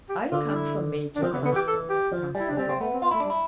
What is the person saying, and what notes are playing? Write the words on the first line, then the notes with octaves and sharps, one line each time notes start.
"I come from Major Denisov," answered Rostov.
G4
D3 F4
D4
E4
D4
F3 C4
E3 B3
D3 B3
E3 G4
A4
G4
F3
G3 E4
D4
G3 C4
C4
A3 B3
C4
B3 F4
A3 E4
D4
G3
E4